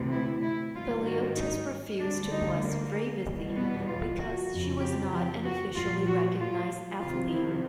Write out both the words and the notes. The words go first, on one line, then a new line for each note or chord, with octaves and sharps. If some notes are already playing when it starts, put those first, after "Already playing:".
Veliotis refused to bless Revithi because she was not an officially recognized athlete.
Already playing: D2 C3 E3
E4
E4
G#2 D#3 G3 F4
F#4
D#4
D2 D3 G3 D4
D#4
A#3
E2 B2 G3
B3
F4
F#4
F2 C#3 F3
G4
G4
F#4
A#2 F3 F4
F#4
F4
F2 C3 D#3 F4
E4